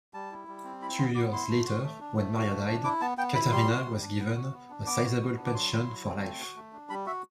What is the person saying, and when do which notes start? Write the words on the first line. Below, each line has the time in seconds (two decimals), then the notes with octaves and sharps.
Two years later, when Maria died, Catharina was given a sizeable pension for life.
0.14 G3 A5
0.31 E4
0.48 G3
0.64 C4
0.82 E4 B5
0.98 B3 C6
1.15 B3 D6
1.33 E4 C6
1.49 A3
1.66 F#4
1.83 A3
2.00 D4
2.17 A3
2.34 F#4
2.50 A3
2.67 D4
2.84 E4 D6
3.01 B3 A5
3.18 B3 G5
3.35 E4 B5
3.52 G3 C6
3.69 F#4
3.86 G3
4.02 D4
4.19 B3
4.36 F#4
4.53 B3
4.70 D4
4.86 B3 D6
5.04 F#4
5.21 B3
5.37 D4
5.46 D6
5.54 F#3 C6
5.71 E4
5.88 F#3
6.05 C4
6.22 A3
6.39 F#4
6.56 A3
6.73 D4
6.90 G3 B5
7.06 F#4 E5